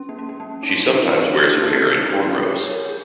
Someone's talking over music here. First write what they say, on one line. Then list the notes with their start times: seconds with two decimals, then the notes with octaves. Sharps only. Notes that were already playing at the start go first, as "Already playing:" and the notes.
She sometimes wears her hair in cornrows.
Already playing: C#4
0.09 A#3
0.19 C#4
0.29 A#3
0.40 A#3
0.63 D#4
0.69 C#4
0.80 D#4
0.91 F4
1.01 G#4
1.16 A#4
1.32 G#4
1.56 C#4
1.62 A#3
1.78 D#4
2.01 D#4
2.09 C#4
2.23 F4
2.34 A#4
2.44 C#5
2.54 C#5
2.70 A#4
2.85 G#4